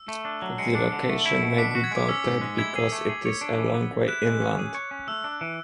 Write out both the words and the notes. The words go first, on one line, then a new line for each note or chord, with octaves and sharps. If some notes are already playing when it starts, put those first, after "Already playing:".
The location may be doubted because it is a long way inland.
Already playing: E6
A3
D4
F#3
G#3 C#7
D4
D3
A3
E4
B2
C#7
D4 B6
F#4 B6
G#6
G#3 D6
C#4 E6
G#2
G#3
E4 G#6
G#4
A3
G#4
C#5
D4
E3
B3
C#3
E4 F#6
G#3
C#4
G#4
C#5
C#4
A3 E6
D4
E3